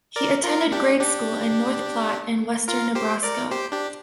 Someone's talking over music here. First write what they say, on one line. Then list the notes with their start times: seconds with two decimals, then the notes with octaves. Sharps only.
He attended grade school in North Platte in western Nebraska.
0.16 A#4 D5
0.44 F4 A#4
0.72 D4 G4
1.00 D4 G4
2.68 F4 A#4
2.95 G4 C5
3.23 A#4 D5
3.51 G4 C5
3.72 D4 G4